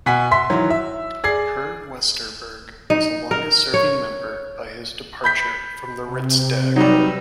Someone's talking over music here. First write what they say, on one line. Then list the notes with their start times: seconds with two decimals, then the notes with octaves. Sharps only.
Per Westerberg was the longest serving member by his departure from the Riksdag.
0.06 B2 F#5 G#5 B6
0.31 E5 C6 B6
0.50 D#3 E3 F#3
0.70 E5
1.24 G#4 D5 G#6 C7
2.90 D#4
3.31 A#4
3.74 C#5
5.24 B5 G6 B6
6.02 C3
6.76 F#3 G3 D#4 B4 E6